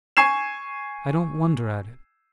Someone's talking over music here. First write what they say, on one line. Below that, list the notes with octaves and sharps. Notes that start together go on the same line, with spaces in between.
I don't wonder at it.
G#5 C#6 G#6 C7 E7